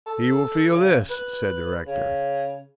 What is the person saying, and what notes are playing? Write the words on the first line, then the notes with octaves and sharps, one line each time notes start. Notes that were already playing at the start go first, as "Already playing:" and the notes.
"He will feel this," said the rector.
A4
C#3
B4
C#3